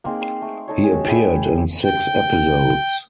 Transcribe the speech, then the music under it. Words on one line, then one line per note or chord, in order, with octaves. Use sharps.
He appeared in six episodes.
A#3 C4 D#4 G#4
C6
A3
D#4 A4 C#5
G#4
E4 G#4 G5 D#6
G5